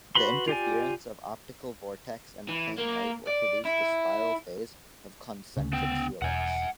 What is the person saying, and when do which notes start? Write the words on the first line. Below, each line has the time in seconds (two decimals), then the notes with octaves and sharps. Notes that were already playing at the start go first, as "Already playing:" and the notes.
The interference of optical vortex and plane light will produce the spiral phase of concentric helix.
0.15 F#4 B4 B5 C6
0.48 F4 G4 D5 G#5
2.49 E3
2.78 A#3
3.27 D5
3.65 E4
5.57 D2 C#3
5.73 B3 G5
6.22 E1 F#5 G#5